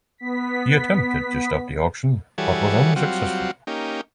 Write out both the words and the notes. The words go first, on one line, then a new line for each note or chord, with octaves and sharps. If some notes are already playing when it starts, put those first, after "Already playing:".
He attempted to stop the auction, but was unsuccessful.
B3 B6
E3 G3 F#4 G#4 A4 C#5
F#3 G3 C4 F4 F#4
A#3 C#4 D#4 G4